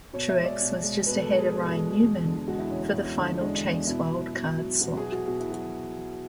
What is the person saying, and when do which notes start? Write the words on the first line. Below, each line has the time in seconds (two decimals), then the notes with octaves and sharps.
Truex was just ahead of Ryan Newman for the final Chase wildcard slot.
0.13 B2 C#5
0.29 E5
0.37 G#3
0.44 D5
0.61 B2
0.83 G#3
1.06 B2 B4
1.22 A4
1.30 G#3
1.38 G#4
1.54 B2
1.77 G#3
2.00 E2
2.24 D3
2.48 G#3 F#4
2.59 E4
2.70 E2 C#4
2.83 C#4
2.93 E2
3.17 D3
3.40 G#3 D4
3.56 D4
3.64 E2
3.72 D4
3.87 B2 E4
4.10 F#3
4.34 B2
4.58 F#3
4.80 B2 F#4
4.97 G#4
5.05 F#3
5.12 F#4
5.28 B2 F#4
5.40 E4
5.51 F#3 F#4